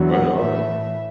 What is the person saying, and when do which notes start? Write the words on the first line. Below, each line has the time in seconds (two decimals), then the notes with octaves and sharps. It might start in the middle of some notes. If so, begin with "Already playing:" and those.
Right on.
Already playing: E2 D3 F#3
0.10 F#5
0.38 A2 E3 A3 E5